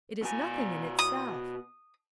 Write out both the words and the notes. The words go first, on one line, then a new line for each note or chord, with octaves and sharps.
It is nothing in itself.
B2 G#5
D#6